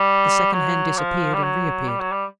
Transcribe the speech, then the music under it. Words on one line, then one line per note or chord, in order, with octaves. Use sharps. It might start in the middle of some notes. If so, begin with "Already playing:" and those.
The second hand disappeared--and reappeared.
Already playing: G3
F#3
F3
G3
F#3
G3
F#3
G3